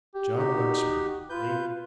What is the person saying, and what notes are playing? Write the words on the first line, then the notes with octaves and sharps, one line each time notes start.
John Lexman--A.
G4
D#4 F#4 G4
F4 B4 G6